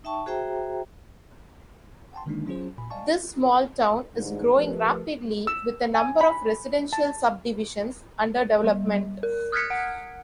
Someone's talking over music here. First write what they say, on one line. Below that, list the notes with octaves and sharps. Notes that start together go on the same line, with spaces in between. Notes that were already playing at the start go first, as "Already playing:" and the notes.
This small town is growing rapidly with a number of residential subdivisions under development.
D#4 E5 G5 A5 C#6
F#4 G#4 C5 E5 G5 A#5
F#5 G5 A5 C6
D3 D#3 G#3 A#3 D4 D#4
F#3 C#4 F4 G#4 C5
G#1 A#2 G#5 B5
D5 D#5 F5 G#5 A5 C#6
G1 E2 G#2
F3 A3 G4 A#4 B4
E6
G#5
B5
A5
G3
A#4
D#6 F6 F#6 G#6 B6 C#7
F#5